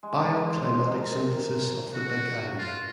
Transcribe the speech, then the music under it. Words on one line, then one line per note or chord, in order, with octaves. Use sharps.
Bioclimatic synthesis of the Big Island.
G#3
C5
A#4
F#4
F4